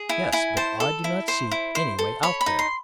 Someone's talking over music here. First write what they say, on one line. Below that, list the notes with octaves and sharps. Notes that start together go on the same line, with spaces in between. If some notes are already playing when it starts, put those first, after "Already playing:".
"Yes, but I do not see any way out there."
Already playing: G#4
E4 G#5
E4 G#5
C5 A5
A4
E4
C5
E4
C5
A4
C#5 B5
B5
D#4
C6